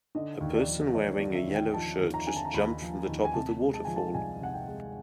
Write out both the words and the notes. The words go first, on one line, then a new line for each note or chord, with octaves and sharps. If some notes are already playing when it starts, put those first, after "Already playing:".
A person wearing a yellow shirt just jumped from the top of the waterfall.
D3 D#5
D#2
D5
F3
D#2 C#5
D5
D3
E5
D#2
G5
F3 A5
D#2
A#5
D3 G#5
A5
A#5
D#2 B5
F3
D#2
G#5
C3 A5
G#3
A5
F3 G#5
A5
C2 G#5
C3 F#5
G5
G#3